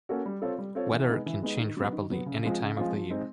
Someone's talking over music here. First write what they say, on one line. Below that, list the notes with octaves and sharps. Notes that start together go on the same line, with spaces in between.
Weather can change rapidly any time of the year.
A#3 C#4 F#4 A4
G3
C4 F4 A4 C#5
G3
C4 F4 A4 C#5
E3
G#3 B3 D#4 G#4
E3
G#3 B3 D#4 G#4
D#3
F#3 B3
D#3
F#3 B3
C#3
F3 G#3 C4 F4
C#3
F3 G#3 C4 F4
F3
G#3 C4 D#4